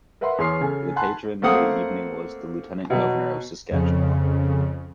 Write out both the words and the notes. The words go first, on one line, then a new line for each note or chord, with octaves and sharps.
The patron for the evening was the Lieutenant Governor of Saskatchewan.
A#4 B4 E5 F#5 B5 C6
E2 G#4 C#5 C6 F6 C7
C#3 A4 G#5
F#5 G#5 A5 B5 C6 F#6
A3 A#3 C4 F#5 D#6
B2 F#3
F2 C#3